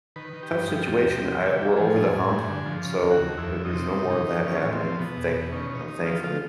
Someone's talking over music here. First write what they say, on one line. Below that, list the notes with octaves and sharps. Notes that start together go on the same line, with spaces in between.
tough situation, I we're over the hump, so there there's no more of that happening, thank you know, thankfully.
D#3 B4
D#3
G4
G2
F3 G4
D#2
D#2
C3
E3
E3
F3 G#4
A2
A2
G2
D3
F3
C#3
D#2
F#4
D#2
F2 E4
F2
D#4
C3
G2
D#3
D#3
F3 C#4
A2
C4
F3
B2 B3
E2
B2
D#3 C#4
D#3
D#4
D#3
F3 F4
F3 F4